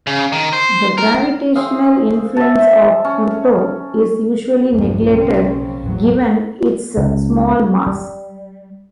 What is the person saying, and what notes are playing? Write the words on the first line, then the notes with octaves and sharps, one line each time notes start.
The gravitational influence of Pluto is usually neglected given its small mass.
C#3
D#3
C5
A#4
C4 G#4 F5
E5 A5
C#4
B1 E2 G2 C3 F3
B1 C#3 F3 A#3 C4 C#4
A1 E2 A2 F#3 B3
C#2
G3